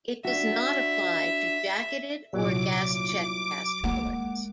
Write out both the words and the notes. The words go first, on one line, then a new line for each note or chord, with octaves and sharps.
It does not apply to jacketed or gas-check cast bullets.
D4 F#4 E5
C2 A#2 F#3 D6
G#3 A#3 F#5